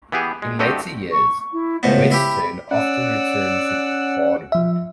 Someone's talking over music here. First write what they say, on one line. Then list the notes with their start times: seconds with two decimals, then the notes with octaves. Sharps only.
In later years Wheatstone often returned to Barnwood.
0.12 E3 B3 G4 G#4
0.42 G#3
0.59 G2 A3 C4 F#4 G4 D#5
1.12 C#6
1.53 E4
1.83 C#2 A2 B3 C5
2.11 E4 G4 B5
2.71 C#4 D5 F#5 E6
4.52 F3 E5